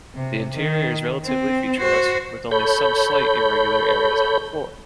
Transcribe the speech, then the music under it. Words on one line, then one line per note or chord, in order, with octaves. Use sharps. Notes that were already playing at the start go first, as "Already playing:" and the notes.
The interior is relatively featureless, with only some slight irregular areas on the floor.
C3
D#3
C4
F#4 C5
A4 C#5 B5 G6